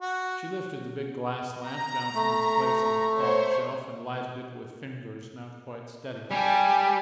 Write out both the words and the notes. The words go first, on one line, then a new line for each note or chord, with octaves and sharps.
She lifted the big glass lamp down from its place on the clock shelf and lighted it with fingers not quite steady.
F#4
A#5
A3
C5 C#5
G3 G4 G#5 A5